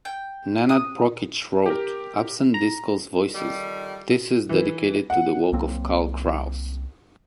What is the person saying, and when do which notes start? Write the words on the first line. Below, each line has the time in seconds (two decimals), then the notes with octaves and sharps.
Nenad Prokic wrote "Absent Discourse Voices" thesis dedicated to the work of Karl Kraus.
0.05 G5
0.69 D#6
1.66 G4 A#4
2.54 A#5
3.35 F2 D#3 G3
4.49 E3
5.10 F#5
5.52 C2 F#3 A#3 C4